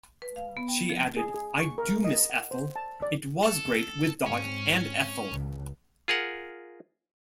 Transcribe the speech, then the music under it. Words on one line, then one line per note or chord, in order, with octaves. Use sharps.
She added, I do miss Ethel, it was great with Dot and Ethel.
B4
F5
B3
G5
F3
G#4
G#4
C#6
A#4
D#5
F#5
C5
A5
D5
A4
G#2 C4 C#4
C#2 C#3
F4 G#4 A#4 F#5